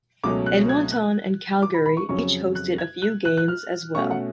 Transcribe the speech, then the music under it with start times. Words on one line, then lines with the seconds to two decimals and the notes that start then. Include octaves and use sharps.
Edmonton and Calgary each hosted a few games as well.
0.23 C#2 B2 F#3 A3 C#4 D6
0.46 F#6
0.69 G#6
0.92 F#6
1.63 D6
1.74 B5
1.86 B5
1.97 C#6
2.09 F2 C#3 F#3 C#4 C#6
2.55 F#6
2.78 G#6
3.02 F#6
3.25 F#6
3.37 F#6
3.48 F6
3.95 B2 A3 C#4 C#6
4.11 F#5